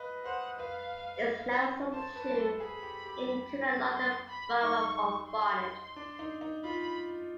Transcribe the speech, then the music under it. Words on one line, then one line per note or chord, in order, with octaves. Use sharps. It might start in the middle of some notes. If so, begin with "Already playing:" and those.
It is now subsumed into the London Borough of Barnet.
Already playing: B4 D#5 F5
C5 F#5
B4 F5
C5 A5
B4
A4
G#4 B5
G4
G4
C6
B5
D#4 C#6
C6
D4
D#4
D#4
F4 B5